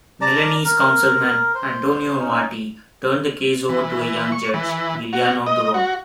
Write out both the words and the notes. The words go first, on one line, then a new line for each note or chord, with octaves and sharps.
Milanese Councilman Antonio Amati turned the case over to a young judge, Giuliano Turone.
D5 A5 A#5
A#4
C5
C#4 D#4
E3
C#6
E3
F#4
D#5
F#4